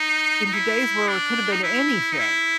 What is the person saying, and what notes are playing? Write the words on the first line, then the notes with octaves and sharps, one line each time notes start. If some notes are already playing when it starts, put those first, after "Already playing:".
in today's world, it could have been anything,
Already playing: D#4
D#4
E4
D4
D#4
E4
D#4
E4